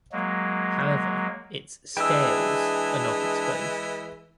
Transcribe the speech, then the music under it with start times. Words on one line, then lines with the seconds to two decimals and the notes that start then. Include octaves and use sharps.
However, its "scales" are not exposed.
0.12 F#3 G#3 A#3
1.97 E3 G#3 D4 G#4 G5 E6